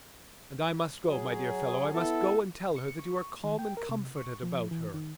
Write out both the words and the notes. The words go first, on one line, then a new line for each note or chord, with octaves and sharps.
And I must go, my dear fellow, I must go and tell her that you are calm and comforted about her.
F#3 G#4
B3 E4 A4
C#7
C#6
D#3
G5
A#4
C3
C#6
F3
E3
D#3